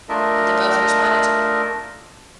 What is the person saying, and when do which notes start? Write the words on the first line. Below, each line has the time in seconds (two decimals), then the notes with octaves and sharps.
and they both responded to me
0.09 A3 D4 F4 A#4 D#5 E5